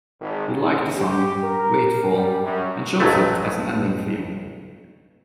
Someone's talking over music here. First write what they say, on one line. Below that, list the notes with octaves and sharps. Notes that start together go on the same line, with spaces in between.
He liked the song "Way To Fall", and chose it as an ending theme.
G#1
F#1
G4
A#4
G3
F#2
B1 F2 F#3 G#3 A3